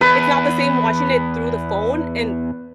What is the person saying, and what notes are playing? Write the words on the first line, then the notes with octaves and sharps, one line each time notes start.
it's not the same watching it through the phone and
E2 B4